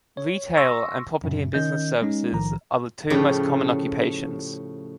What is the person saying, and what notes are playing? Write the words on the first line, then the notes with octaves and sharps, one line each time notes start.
Retail and property and business services are the two most common occupations.
C#5
C6 C#6 E6 A#6
F#2 A#2 C#3
D#3 C#4 D#5 G6
G#3 C#4 D#4
B1 A2 D#3 F3 A#5
A2 C#3 F3 G4